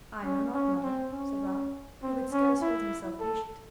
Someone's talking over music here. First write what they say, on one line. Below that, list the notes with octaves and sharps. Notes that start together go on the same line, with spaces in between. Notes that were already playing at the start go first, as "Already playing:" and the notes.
"I know not, mother," said Ralph, who could scarce hold himself patient.
C#4
C#4
C4
C#4
C4
C#4
E4
A4